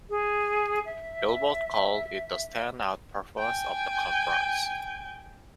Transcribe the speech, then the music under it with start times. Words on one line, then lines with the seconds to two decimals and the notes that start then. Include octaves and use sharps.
"Billboard" called it the stand out performance of the conference.
0.10 G#4
0.85 E5
3.38 G5 G#5